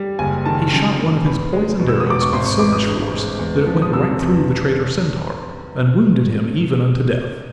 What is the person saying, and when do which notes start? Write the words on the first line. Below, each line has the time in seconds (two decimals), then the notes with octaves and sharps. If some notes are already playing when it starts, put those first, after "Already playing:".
He shot one of his poisoned arrows with so much force that it went right through the traitor Centaur, and wounded him even unto death.
Already playing: G3
0.19 F#1 G#5
0.45 D#3 A5
0.72 F#2 A5
0.99 F#1
1.25 E2 B5
1.53 G#3
1.79 B2
1.88 E6
2.00 D#6
2.06 E2 D6
2.22 C#6
2.33 G#1 C6
2.46 C#6
2.59 E3 D6
2.73 D#6
2.86 G2
3.13 G#3
3.39 E2
3.66 F3
3.82 D#6
3.93 C3 E6
4.20 E2